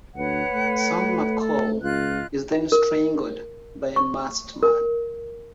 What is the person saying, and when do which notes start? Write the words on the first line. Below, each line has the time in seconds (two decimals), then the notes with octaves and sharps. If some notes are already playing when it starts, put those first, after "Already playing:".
Sam McCall is then strangled by a masked man.
0.16 D2 B4 C#5 F#5
0.53 A3
1.40 A4
1.82 C#2 F4 D#5 F#6
2.72 A#4
3.96 C#6
4.63 A#4